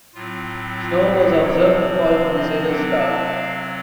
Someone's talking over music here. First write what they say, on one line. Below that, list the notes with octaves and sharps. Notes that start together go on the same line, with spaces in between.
Snow was observed to fall from cirrus clouds.
A2 F#3 C4 F4
F4
A4
C3 F3 C4
F5
D#5
C3 F#3 C4 F#5
A5
F5